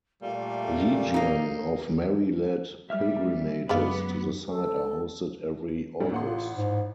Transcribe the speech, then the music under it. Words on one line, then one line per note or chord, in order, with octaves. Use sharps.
Legion of Mary-led pilgrimages to the site are hosted every August.
A#2 G3 A3 F5
A#3 D#4
G3 E5 F6
F#2 G#3 B3 D5 F5 B5 D6
A4
D2 G2 G3
A1 A#3 F#5 C6
F4
G#2